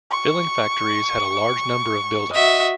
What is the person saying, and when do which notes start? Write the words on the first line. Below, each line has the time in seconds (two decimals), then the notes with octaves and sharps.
Filling factories had a large number of buildings.
0.11 C#6
2.34 F#4 D#5 E5